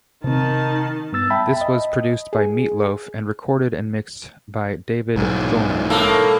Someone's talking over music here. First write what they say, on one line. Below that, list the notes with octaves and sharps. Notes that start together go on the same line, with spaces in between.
This was produced by Meat Loaf and recorded and mixed by David Thoener.
C3 D#3 C4 A5
G2 B3 E6 A6
E5 G5 A5 B5
D#5
G#4
B1 G#2
A2 A#3 A4